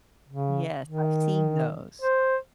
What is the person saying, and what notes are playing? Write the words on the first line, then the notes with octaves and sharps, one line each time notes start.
Yes, I've seen those.
C#3
D#3
C5